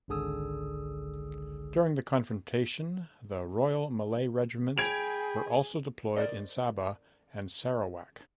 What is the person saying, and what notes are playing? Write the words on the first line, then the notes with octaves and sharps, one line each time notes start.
During the confrontation, the Royal Malay Regiment were also deployed in Sabah and Sarawak.
G#1 C#2 D3 G#4 D#6 E6
G#4 G5 B5 G#6 D7 F7
A#4 C5 D5 D#5